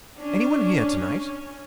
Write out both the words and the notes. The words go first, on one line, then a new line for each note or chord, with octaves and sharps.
"Any one here to-night?"
C#4 D4